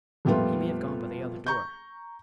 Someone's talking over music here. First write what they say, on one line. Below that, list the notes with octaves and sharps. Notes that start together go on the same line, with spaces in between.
"He may have gone by the other door."
F2 A#2 G3 A3 B3 F4
A#5 C#6 G6